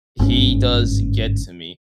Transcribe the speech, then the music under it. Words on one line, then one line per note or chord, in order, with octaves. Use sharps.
he does get to me.
G1 G#2 C4 C#4